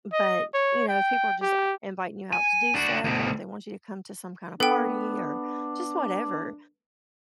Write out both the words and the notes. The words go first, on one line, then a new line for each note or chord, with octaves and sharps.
But, you know, if people are just like, inviting you out to do stuff or if they want you to come to some kind of party or just whatever,
D#5
C#5
G5
G4
G#5
D4 F#4
D2 B2
B3 D4 A4 G5